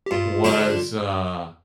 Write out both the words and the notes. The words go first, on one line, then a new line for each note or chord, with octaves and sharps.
was, uh,
G4
G2 F4
D3 G3 D4 G4